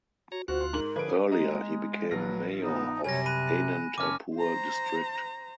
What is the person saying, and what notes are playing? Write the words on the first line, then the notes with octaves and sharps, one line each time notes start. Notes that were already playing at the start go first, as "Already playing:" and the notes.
Earlier he became Mayor of Anantapur district.
F#4 C#5 A#5
D2 F4 F#4 C5 F#6
C6
G#2 A#4 F#7
D3 F3 G#4 B4 D7
G#3 D#5 A#5
A#1 F#3 F4 B4 A#6
B3 D#4
F#2 C3 G3 C#5 G#5 A#6
B5 F#6 D#7
F#1 C#4 A5 D6 F6
C5 A#5